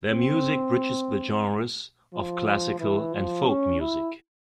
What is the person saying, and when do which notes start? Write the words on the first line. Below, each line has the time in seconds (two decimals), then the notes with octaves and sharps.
Their music bridges the genres of classical and folk music.
0.11 C4
2.13 F3
2.80 E3
3.14 F3
3.47 C#4
3.80 E4